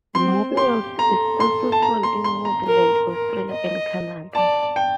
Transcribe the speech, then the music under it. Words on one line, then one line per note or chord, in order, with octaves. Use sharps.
"Warriors" is also sold in New Zealand, Australia, and Canada.
C4 C6
G4 C6
A4 A#5
C6
A5
A#5
C6
C6
A#5
A#4
A#4
D#5
D5 A5
G5